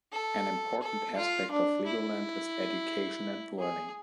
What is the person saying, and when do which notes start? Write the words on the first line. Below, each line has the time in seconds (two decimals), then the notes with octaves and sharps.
An important aspect of Legoland is education and learning.
0.12 A4
0.82 A4
1.17 F4
1.51 D4
1.86 E4
3.59 G#4